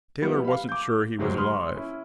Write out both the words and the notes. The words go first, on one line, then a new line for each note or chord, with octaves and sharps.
Taylor wasn't sure he was alive.
F3 G3 B3 E4 G4
F5 B5
D6 G6
F#1 D2 F#3 G#3 G4 C5
B5 C6 D#6 F6
C#4 E4